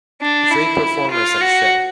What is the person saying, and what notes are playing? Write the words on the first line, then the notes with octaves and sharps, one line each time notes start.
Three performers at a show.
D4
E4
F4
F#4